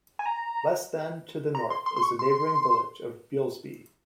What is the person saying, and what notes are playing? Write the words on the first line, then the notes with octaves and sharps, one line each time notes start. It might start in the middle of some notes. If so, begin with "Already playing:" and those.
Less than to the north is the neighbouring village of Beelsby.
G#5
A#5
A#5
C6
C6
C6
C#6
C6